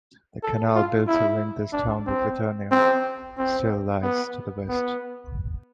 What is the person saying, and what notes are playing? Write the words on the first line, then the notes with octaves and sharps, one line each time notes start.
The canal built to link this town with Vedaranyam still lies to the west.
A4
F4
E4
D4
C4
C4
C4
B3
B3